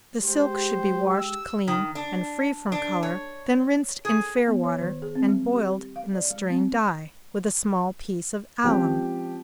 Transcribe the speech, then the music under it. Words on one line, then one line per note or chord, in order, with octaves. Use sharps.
The silk should be washed clean, and free from color, then rinsed in fair water, and boiled in the strained dye, with a small piece of alum.
G#3 G4 C5
E6
D#3
D4
D4
C#5
G#4
B3
C#5
D#3
G#4
C4
G3
G4
F5
D5
G#3
C4
F3 G#3 C4 C#4 G4